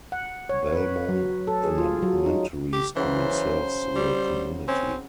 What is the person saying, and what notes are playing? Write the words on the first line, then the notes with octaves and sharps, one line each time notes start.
Belmont Elementary School serves the community.
F#5
C#5
B4
F#3
A4
G#4
F4
F#3
D#4
G4
C#3 E3 F#3 C5
G3
C4 C#4